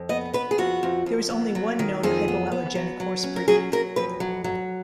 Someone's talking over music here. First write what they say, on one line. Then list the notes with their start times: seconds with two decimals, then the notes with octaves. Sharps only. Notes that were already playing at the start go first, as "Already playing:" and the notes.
There is only one known hypoallergenic horse breed.
Already playing: F2
0.09 B3 D#5
0.34 B3 B4
0.51 G#4
0.58 F2 F#4
0.83 F2
1.06 F2
1.30 B3
1.55 F#3
1.79 D#3
2.03 F2 G#4
2.28 B3
2.52 B3
2.75 F#3
3.00 F#3
3.23 C#4
3.36 A#4
3.48 F#3 G#4
3.72 F#3 A#4
3.96 F2 B4
4.20 F#3
4.44 F#3